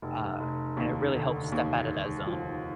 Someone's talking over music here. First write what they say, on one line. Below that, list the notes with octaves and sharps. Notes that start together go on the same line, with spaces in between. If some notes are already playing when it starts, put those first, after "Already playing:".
Uh, and it really helps step out of that zone.
F1
F1
D#2
D3
D#2
F1
F3